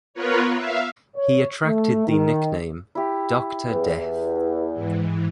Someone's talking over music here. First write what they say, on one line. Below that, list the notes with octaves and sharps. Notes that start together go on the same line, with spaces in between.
He attracted the nickname "Doctor Death".
B3 F4 A#4 B4 C#5
E5 F5
C#5
A3
D#3
E4 G4
E2
G#2 E3